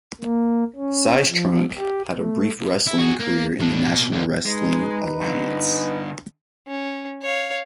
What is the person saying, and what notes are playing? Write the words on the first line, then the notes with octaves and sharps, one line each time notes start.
Sistrunk had a brief wrestling career in the National Wrestling Alliance.
A#3
C#4
F3
G4
A3
E4
F#4 G#4
A#3
A2 D4
B2 A#3
D#2 D3
G#3 D#4 B4
G2 D3
C#4
C#5 F5